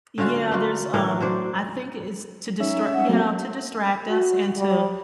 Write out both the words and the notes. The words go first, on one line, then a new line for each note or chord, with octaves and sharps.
Yeah, there's, um, I think it's to distra yeah, to distract us and to
D3 C#4 F4 F#4
A#3 F4 F#4
A2 E3 D4 A#4
F#3 D4 C5 D5
C#4 D#4 E5
F#5
F#3 A3 A#3 C4
F#4
G3